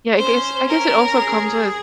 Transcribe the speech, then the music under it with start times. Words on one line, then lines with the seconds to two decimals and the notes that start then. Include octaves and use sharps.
Yeah, I guess I guess it also comes with
0.18 C#4 C5
0.68 A#4
1.18 G#4